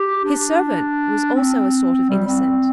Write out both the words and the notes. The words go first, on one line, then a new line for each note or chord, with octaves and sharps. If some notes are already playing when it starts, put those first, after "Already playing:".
His servant was also a sort of innocent.
Already playing: G4
D4
C4
G3
C4